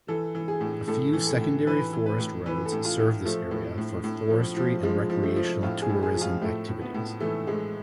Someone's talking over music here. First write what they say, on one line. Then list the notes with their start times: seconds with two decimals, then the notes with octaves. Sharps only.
A few secondary forest roads serve this area for forestry and recreational tourism activities.
0.08 E3 A4
0.35 E3
0.48 G#4
0.61 A2
0.88 A2 A4
1.13 E3
1.27 A4
1.41 A2
1.67 E3 B4
1.93 E3
2.06 B4
2.19 A2
2.46 E3 B4
2.65 A4
2.72 A2
2.85 F4
2.99 A2
3.25 F3 A3
3.51 A2
3.78 A2
4.04 A2
4.30 F3
4.57 F3
4.83 F3 G#3
5.10 F3
5.23 A3
5.36 F3
5.63 A2 F4
5.82 G#4
5.89 A2
6.03 G#4
6.16 F3
6.21 F4
6.41 A2 A3
6.68 A2
6.81 B3
6.94 A2
7.20 E3 A3
7.47 A2 G#3